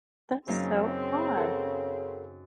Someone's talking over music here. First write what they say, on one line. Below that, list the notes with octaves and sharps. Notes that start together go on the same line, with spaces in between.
That's so odd.
F#2 C#3 A#3 C4 D#4
A4 A#4 F#5